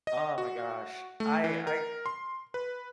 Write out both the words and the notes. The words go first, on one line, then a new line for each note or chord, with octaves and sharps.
Oh, my gosh. I I
D#5
F#4
A3
E3
A#4
C6
B4